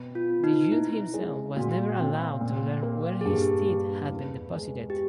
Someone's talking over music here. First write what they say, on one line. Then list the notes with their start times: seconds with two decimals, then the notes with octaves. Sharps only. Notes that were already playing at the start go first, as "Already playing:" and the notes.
The youth himself was never allowed to learn where his teeth had been deposited.
Already playing: B2 C4
0.15 F4
0.30 B3
0.44 D#4
0.71 C3 E4
1.14 G#3
1.56 A#2 F#4
1.98 C4
2.41 A#2
2.83 A#3
3.21 G#4
3.25 G2 G4
3.68 G3
4.10 E2
4.53 G#3
4.90 G4